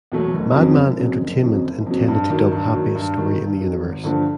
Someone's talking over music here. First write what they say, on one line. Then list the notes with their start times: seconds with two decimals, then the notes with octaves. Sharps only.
Madman Entertainment intended to dub Happiest Story in the Universe!
0.12 E2 B2 F#3 A3
0.34 F#1
0.56 F2 C#3 F#3
0.77 F#1
0.99 F2 C#3 F#3
1.21 F#1
1.43 F2 C#3 F#3
1.64 F#1
1.86 F2 C#3 F#3
2.08 G2
2.30 D#3 F#3
2.52 G2
2.73 D#3 F#3
2.95 G2
3.17 D#3 F#3
3.39 G2
3.61 D#3 F#3
3.83 G#1
4.04 G2 D3 F3